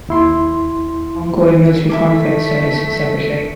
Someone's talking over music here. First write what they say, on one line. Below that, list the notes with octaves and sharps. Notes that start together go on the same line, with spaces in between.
Ongoing military conflicts are listed separately.
D#2 E4 C6
A3 E4 A4 D6 B6